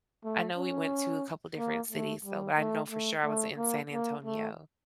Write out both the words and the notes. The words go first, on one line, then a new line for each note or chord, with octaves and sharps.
I know we went to a couple different cities, though, but I know for sure I was in San Antonio.
A3
C#4
A#3
A3
G3
A3
A3
A3
A#3
A#3
A3